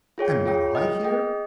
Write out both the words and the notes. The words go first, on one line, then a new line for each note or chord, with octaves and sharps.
"Am not I here?"
F4 G#4 C#5 G5
F4 G#4 C#5 G5
G#4 D#5 G5
G#4 D#5 G5